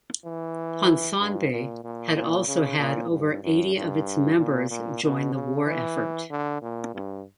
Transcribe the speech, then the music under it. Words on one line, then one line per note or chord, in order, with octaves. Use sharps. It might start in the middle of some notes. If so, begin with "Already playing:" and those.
Ponsonby had also had over eighty of its members join the war effort.
E3
G2
A#2
A#2
A#2
C#3
A#2
G2
F#2
G2
A#2
A#2
B2
C#3
E3
D3
A#2
G2